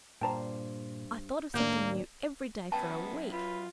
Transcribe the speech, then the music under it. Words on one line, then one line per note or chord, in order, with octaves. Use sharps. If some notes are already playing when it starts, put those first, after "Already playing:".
I thought of something new every day for a week.
G2 A#2 C5 G5 A5 A#5
D#2 A2 A#3 D4 G6
F#2 B3 G5 A5
F4 B4